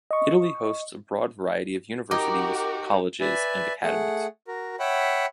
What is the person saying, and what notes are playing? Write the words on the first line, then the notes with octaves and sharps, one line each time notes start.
Italy hosts a broad variety of universities, colleges and academies.
D#5 C#6
D#4 F#4 G4 A#4 D6
B4 D5 E5 G#5
A3 G#4 F#5
F#4 A#4
C#5 E5 F#5 G5 B5